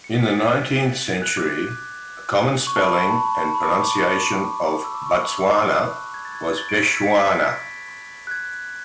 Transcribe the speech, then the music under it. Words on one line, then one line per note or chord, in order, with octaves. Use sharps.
In the nineteenth century, a common spelling and pronunciation of "Batswana" was Bechuana.
C#7
B6
A6
G#6
F#6
G#6
F#6
D6
C#6
A5
B5
B5
A5
B5
A5
A5
B5
D6
C#6
D6
E6
D6
C#6
D6
F#6
G#6
A6
G#6
G#6
A6
D7
B6
G#6
B6
F#6
G#6